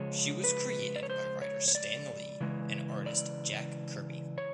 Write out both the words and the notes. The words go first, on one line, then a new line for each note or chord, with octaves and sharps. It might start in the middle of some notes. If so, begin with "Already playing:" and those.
She was created by writer Stan Lee and artist Jack Kirby.
Already playing: C#3 F3 G#3 C#5
B4
D5
C#5
C5
C#5
C#5
D5
C#3 E3 G#3
D5
C#5